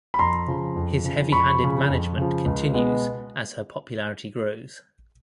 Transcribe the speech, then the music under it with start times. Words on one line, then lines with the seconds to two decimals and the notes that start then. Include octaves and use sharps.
His heavy-handed management continues as her popularity grows.
0.14 B5
0.19 F2 A#5 C6
0.47 C#3 F3
0.76 F2
1.04 C#3 F3
1.32 F2 B5 C#6
1.61 C#3 F3
1.89 F2
2.17 C#3 F3
2.46 C#2
2.74 B2 G#3 B3